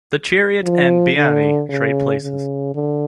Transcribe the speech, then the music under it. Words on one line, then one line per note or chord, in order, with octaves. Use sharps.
"The Chariot" and "Beanni" trade places.
F3
D3
C#3
C#3
D3